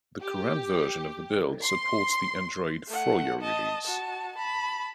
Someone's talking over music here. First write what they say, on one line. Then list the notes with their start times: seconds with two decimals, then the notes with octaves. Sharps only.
The current version of the build supports the Android Froyo release.
0.21 G4
1.63 C6
2.89 A3 F#5
3.41 D#5 A5
3.85 F#4 A5
4.36 A5 B5